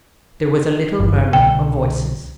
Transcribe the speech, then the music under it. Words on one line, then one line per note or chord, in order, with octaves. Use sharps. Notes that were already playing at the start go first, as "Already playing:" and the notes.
There was a little murmur of voices.
G1 G2
C2 B2 D3 G5